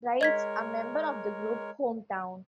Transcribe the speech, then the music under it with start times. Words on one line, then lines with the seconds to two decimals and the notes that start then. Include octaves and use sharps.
Wright's, a member of the group, hometown.
0.21 G#3 A#4 C#5 D#5 G#6 B6